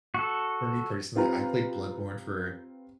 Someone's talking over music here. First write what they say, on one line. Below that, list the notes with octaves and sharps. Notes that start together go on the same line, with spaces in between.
for me, personally, I played Bloodborne for
F#4 A4
C4 F4 G4 B4 A#5